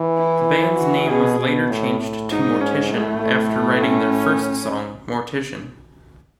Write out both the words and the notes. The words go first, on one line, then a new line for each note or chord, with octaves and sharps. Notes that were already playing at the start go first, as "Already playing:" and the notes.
The band's name was later changed to Mortician after writing their first song, "Mortician".
Already playing: E3
E4
E4
F#4
B2 G#4
B2
A2
A2
G#2 D#4
C#4
A2 A3
A3
C#4